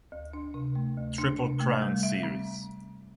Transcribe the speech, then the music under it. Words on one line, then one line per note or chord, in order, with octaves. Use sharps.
Triple Crown series.
D2
D4
C3
A3
D2
D4
C3
A3
G3
E5
C4